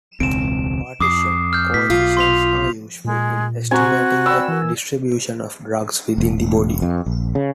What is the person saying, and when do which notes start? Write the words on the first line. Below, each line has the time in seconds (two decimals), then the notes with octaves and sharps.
Partition coefficients are useful in estimating the distribution of drugs within the body.
0.20 E1 C#2 C4 D7 E7
1.00 F2 D6 D#6 C7
1.53 F6 G6
1.74 A2 B6
1.90 B1 F4
2.17 C6 B6 F7
3.05 A#2 G#3
3.71 C4 F#4 G#5 A#5 C#6
4.26 D5 G5 B5 E6
4.48 E3 A#4
6.18 E1
6.38 E1
6.82 F2
7.06 A#1
7.35 C#3